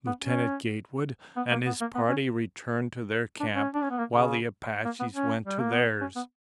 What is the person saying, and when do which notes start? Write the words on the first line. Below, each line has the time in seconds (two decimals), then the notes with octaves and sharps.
Lieutenant Gatewood and his party returned to their camp while the Apaches went to theirs.
0.06 B3
0.21 C#4
1.36 B3
1.51 A#3
1.66 B3
1.80 A#3
1.95 B3
2.09 C#4
3.40 D4
3.54 C#4
3.74 D4
3.82 C#4
3.90 B3
3.98 A#3
4.13 C#3
4.85 A#3
5.00 B3
5.14 C#4
5.46 G3
5.59 A#3
5.72 B3
6.01 C#4
6.16 B3